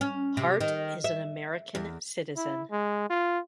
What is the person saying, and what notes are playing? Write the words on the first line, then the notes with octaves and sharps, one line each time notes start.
Hart is an American citizen.
C#4
C3
D#3
E5
E2
E4
G#3
F4